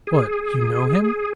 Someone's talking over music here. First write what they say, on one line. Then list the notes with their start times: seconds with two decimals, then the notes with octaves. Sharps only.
"What--you know him?"
0.07 G#4